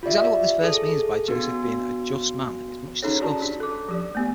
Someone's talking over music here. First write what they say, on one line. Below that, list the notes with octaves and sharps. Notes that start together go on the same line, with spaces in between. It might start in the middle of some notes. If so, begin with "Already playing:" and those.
Exactly what this verse means by Joseph being a "just man" is much discussed.
F4 G4 D5 E5
G#4 A4
B3 D4 F#4
C#4 D#4 G#4 A4 C#5
D4 F#4 D5 A5 A#5
D4 G4 D5
A4 D6
F3 G4 D5
A3 B3 G4